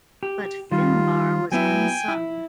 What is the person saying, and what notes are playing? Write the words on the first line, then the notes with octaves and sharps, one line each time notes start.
But Finbarr was unsung.
G4
D#3 G3 F4
F#3 B3 E4 G5 G#5
E4